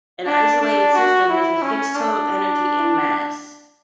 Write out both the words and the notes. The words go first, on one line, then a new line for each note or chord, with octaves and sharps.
An isolated system has a fixed total energy and mass.
D4
D4
F#4
E4
C#4
D4